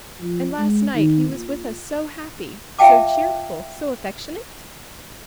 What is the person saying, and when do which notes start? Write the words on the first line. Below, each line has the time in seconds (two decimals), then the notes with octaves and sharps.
And last night he was with us so happy, so cheerful, so affectionate?
0.20 F3
0.58 G#3
0.95 D#3
1.29 A#2
2.79 F4 E5 F5 G5 A5 D6